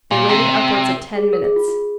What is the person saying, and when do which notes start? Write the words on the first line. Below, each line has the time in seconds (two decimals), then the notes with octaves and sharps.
They waited upwards of ten minutes.
0.11 A#2
0.17 C#5
0.29 C3
0.98 A#4
1.16 G#4
1.33 A#4
1.44 G#4
1.56 F4
1.68 F4